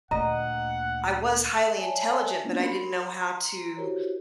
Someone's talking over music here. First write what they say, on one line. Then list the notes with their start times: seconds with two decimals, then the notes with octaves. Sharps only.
I was highly intelligent, but I didn't know how to,
0.11 D2 A#2 D#5 F#5 A#5
1.77 C#5 D5 E5 G#5 A5
2.43 G#3 A#3 B3 C#4 D4 F4
2.60 F#4 A#4 B5 C6
3.06 A#5 C6
3.77 E4 F#4 G4 A#4 C5 C#5